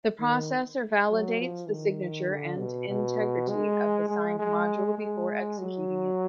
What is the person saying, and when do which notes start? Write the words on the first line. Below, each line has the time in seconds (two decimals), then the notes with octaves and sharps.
The processor validates the signature and integrity of the signed module before executing it.
0.20 D#3
1.10 F#3
1.39 F3
1.69 D#3
2.29 D3
2.59 B2
2.89 B2
3.50 G#3
4.09 G#3
4.39 G#3
4.98 G#3
5.59 F#3